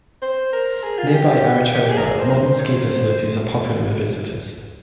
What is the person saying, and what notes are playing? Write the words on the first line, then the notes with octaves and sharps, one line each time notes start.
Nearby Arachova, modern ski facilities are popular with visitors.
C5
A#4
G#4
F4
G#4
G4
G4
G#4
A#4
G#4
C5
A#4
C5
C#5
C5